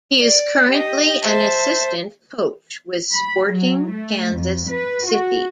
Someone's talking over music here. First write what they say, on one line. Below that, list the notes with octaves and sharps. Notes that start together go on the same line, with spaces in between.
He is currently an assistant coach with Sporting Kansas City.
D5
G4 D#5
C5 E5 A5
B5
F#3
A3
F2
B4
F#4